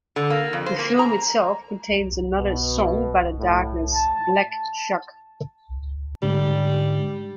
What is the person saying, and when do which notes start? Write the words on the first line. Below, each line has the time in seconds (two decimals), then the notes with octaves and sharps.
The film itself contains another song by the Darkness, "Black Shuck".
0.16 D3
0.30 A#3
0.53 F2
0.66 C5
0.79 A#3
0.99 A#5
2.37 B2
3.39 A2
3.93 A5
6.23 G#2 D3 G3